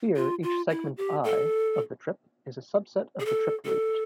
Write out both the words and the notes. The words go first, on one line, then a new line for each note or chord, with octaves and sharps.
Here each segment i, of the trip is a subset of the trip route.
F4
F4
E4
G4
A4
G#4
A4
A4